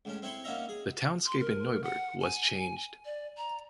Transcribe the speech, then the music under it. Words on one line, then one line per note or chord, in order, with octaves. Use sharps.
The townscape in Neuburg was changed.
C#2 A2 C#4
C4 E4 C#5 B5 C6
A#3 B3 C#4 D#4 E5 A#5
G#4
C6
A#4
F#5
G#5
D5
A#5